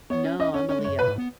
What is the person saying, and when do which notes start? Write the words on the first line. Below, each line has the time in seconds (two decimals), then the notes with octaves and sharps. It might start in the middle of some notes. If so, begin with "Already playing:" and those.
No, I'm a Leo.
0.10 B3 C#5
0.25 C#4
0.39 C#4 D#5
0.54 C#4 C#5
0.69 C#4 C#5
0.79 G#3
0.84 C#5
0.89 F#2
0.99 B2 B4
1.08 G#2
1.18 B3